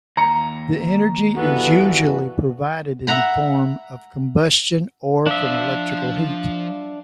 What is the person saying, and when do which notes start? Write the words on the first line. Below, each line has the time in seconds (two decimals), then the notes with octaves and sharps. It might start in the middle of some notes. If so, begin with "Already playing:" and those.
The energy is usually provided in the form of combustion or from electrical heat.
0.17 D#2 A#5 C#7
1.35 G2 E3 B3 F#4 A4 B4
3.07 E5 F#5 A#5 B5
5.26 F3 D4 C5 E5 F5